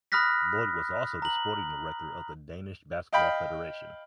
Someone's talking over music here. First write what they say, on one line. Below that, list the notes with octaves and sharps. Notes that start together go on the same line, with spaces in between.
Loyd was also the sporting director of the Danish Basketball Federation.
B5 D#6 F6 F#6 A#6 B6
A#5 F#7
D#5 F5 G5 B5